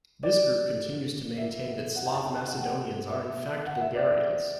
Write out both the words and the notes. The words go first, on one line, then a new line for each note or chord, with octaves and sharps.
This group continues to maintain that Slav Macedonians are in fact Bulgarians.
D5
E5
F#5
G5
A5
G5
G5
F#5
E5
F#5
E5
D5